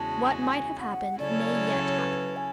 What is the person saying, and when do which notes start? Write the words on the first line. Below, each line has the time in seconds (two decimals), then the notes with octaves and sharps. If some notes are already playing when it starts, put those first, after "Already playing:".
What might have happened may yet happen.
Already playing: E2 C#3 G#3 C#4 F#4 A5
0.41 G#5
0.81 F#5
1.19 C#3 F#3 C#4 E4 A4 D5
1.45 D5
1.72 C#5
1.98 B4
2.36 G#5